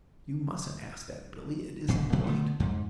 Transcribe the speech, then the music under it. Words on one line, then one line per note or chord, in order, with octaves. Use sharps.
"You mustn't ask that, Billie; it isn't polite!"
D#1 B2
A1 A#2 F#3
D3 A3 B3
F2 G#2